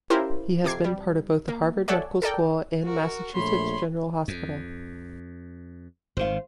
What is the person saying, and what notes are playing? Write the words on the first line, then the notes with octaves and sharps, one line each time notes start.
He has been part of both the Harvard Medical School and Massachusetts General Hospital.
C#4 E4 F4 G4 A#4 C5
F2 C3 D6 G#6 C7
G3
A#3
A4 C#5 D5 E5 F#5 G#5
A4 A#4 D5 G5
F#4 A#4
A#1 A3 C#5 B5 C6
F2
G#1 D#3 C5 F5